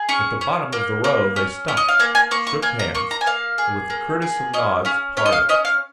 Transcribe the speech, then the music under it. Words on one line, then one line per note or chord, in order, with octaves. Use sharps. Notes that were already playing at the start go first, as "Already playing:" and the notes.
At the bottom of the Row they stopped, shook hands, and with the curtest of nods parted.
Already playing: G#4
C#4 C#6
C#4
A#3
A#3
C#4
C#4
D#5
F5
A#3 G#5
G#5
A#3 C#6
C#6
A#3 G#5
A#5
A#3 C#6
A#5
G#5
A#3 F5
G#4
A#3
G#4
C#4 D#5
C#4 F5
C#4 C#5
D#5
F5
C#4 D#5
F5